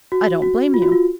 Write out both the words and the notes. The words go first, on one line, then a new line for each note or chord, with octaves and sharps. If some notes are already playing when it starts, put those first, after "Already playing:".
I don't blame you.
F#4
F#4
F4
F#4
F4